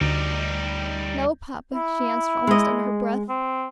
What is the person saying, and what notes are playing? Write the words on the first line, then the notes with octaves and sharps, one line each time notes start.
"No, papa," she answered almost under her breath.
D2 G3 D#4
E4
G#3 D#5
C4